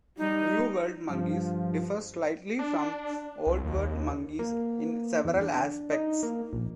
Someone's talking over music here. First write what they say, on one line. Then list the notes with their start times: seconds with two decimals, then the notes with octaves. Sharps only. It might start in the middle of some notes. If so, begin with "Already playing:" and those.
New World monkeys differ slightly from Old World monkeys in several aspects.
0.18 G3 D#4
1.10 G2 F3
2.59 D4
3.47 C2
3.64 D#2
4.39 A#3
5.25 E2
5.41 D4
5.92 D#4
6.23 A#3
6.53 A#1